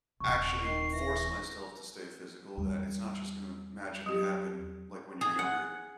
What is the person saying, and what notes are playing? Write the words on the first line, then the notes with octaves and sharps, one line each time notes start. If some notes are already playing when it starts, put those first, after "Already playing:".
actually force myself to stay physical, that it's not just gonna magically happen like when you're younger.
D#1 C3 C#6
D#3 C7
E3 A#6
E2 G3
F#3 G4
G#4
F#5